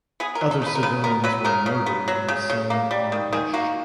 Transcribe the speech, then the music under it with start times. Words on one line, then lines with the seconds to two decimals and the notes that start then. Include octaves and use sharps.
Other civilians were murdered in the same ambush.
0.20 B3 G#4
0.35 A#4
0.41 F#3
0.51 A4
0.62 C#3 B4
0.75 A#4
0.83 C#3 B4
1.04 B3 A#4
1.24 F#3 B4
1.45 C#3 A#4
1.66 C#3
1.86 B3
2.08 F#3
2.28 C#3
2.50 C#3
2.70 A#3
2.91 G3
3.12 D#3
3.32 D#3 G#4
3.53 A#3 F#4